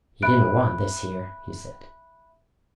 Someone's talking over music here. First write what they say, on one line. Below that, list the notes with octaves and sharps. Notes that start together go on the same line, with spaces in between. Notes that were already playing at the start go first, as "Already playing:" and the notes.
"You didn't want this here," he said.
E5 B5 F#6 D7